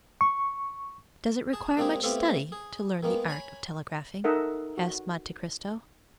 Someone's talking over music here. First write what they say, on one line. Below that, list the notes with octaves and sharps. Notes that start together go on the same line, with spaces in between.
"Does it require much study to learn the art of telegraphing?" asked Monte Cristo.
C#6
G#4 A5
G#3 A#3 C4 D4 G4 G#4
A3 B3 C4 E4 F4 G4
G#4
D#3 G#3 A#3 B3
C#5 G#5 A#5 B5
D#4 A4 A#4 D#5 E5 F#5
F#4